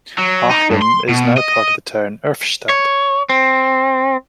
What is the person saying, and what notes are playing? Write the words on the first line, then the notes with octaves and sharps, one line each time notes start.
Ahrem is now part of the town Erftstadt.
F#3
D#4
G2
C6
B2
D#5
C#5
C4